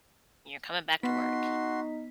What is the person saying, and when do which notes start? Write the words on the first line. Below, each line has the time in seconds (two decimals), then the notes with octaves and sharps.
You're coming back to work.
1.03 B3 D#4 F#4 C6 B6